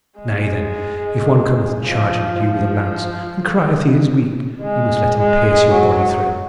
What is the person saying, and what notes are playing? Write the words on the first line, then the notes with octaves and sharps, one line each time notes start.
Nay, then, if one cometh charging at you with a lance, and crieth he is weak, ye must let him pierce your body through!
G#3
F3
F3
G#3
G#3
F#3